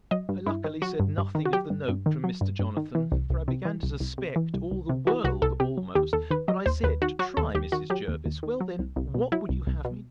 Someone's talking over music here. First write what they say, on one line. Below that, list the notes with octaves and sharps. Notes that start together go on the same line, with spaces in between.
I luckily said nothing of the note from Mr. Jonathan; for I began to suspect all the world almost: but I said, to try Mrs. Jervis, Well then, what would you have me do?
F#3 D#5
G2
G2 E4
D#3
F#3 F#4
G2
G2
D#3
F#4
F#3 G4
G2
G2
D#3
F#3
G2
G2
D#3
E3
C2
C2
C3
E3
C2
C2
C3
E3
C2
C2
C3
E3 F#4
C2 F#4
C2 A4
C3 G4
F#3
D#2 G4
D#2 A4
D#3 B4
F#3 D#5
D#2 C5
D#2 B4
D#3 F#4
F#3 F#4
D#2 A4
D#2 G4
D#3 F#4
F#3 G4
D#2
D#2
D#3
F#3
C2
C2
B2
F#3 E4
C2
C2
B2